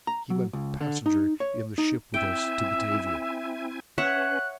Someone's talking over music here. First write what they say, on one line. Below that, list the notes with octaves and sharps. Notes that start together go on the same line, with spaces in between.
He went passenger in the ship with us to Batavia.
A#5
F#3
C#2
D3
D#4
C#5
D#4
C4 E4 E5 G5 G#5
C#4 B4 C#5 E5 F#5 F#6